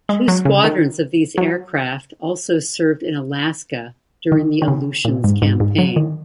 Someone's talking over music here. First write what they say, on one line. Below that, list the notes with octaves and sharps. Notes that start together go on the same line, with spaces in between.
Two squadrons of these aircraft also served in Alaska during the Aleutians campaign.
G#3
F#3
C#3
D#3
F#3
D#3
D#3
C#3
A#2
G#2
G#2
G#2
F#3
D#3